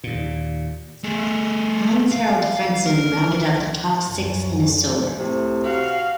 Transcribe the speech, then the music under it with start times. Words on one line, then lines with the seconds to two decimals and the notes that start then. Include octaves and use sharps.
Heinz-Harald Frentzen rounded out the top six in his Sauber.
0.04 D#2 A#2
1.04 A3 G#4
2.12 F5
2.87 A#4
4.08 F#2
5.18 A2 C3
5.65 F#4 F5